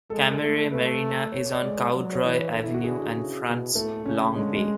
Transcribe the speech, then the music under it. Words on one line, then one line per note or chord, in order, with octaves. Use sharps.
Cammeray Marina is on Cowdroy Avenue and fronts Long Bay.
G#3 A4
A4
A3
A3 B4
C#5
D5
G#3
D5
F#3
C#5
E3
B4
D3 A4
E4
F#4
D3 G#4
C#3
B2
A2 A3
C#3 C#4
D3 G#3
G#3